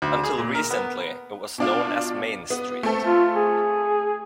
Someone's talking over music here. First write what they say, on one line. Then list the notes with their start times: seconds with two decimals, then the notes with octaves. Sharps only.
Until recently it was known as Main Street.
0.02 D2
0.23 G#4
0.38 A#2
0.55 A#4
0.70 B3
1.58 B2 D4 F4
2.50 B3
2.83 A3 C4 A4
3.05 F4
3.35 G#4